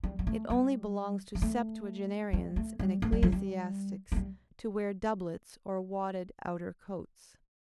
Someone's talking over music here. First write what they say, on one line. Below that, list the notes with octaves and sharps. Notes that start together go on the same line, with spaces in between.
It only belongs to septuagenarians and ecclesiastics to wear doublets or wadded outer coats.
G3
G3
A3
G3
G3
A3
G3
A3
G3
A3
G3
F3
G3
A3
G3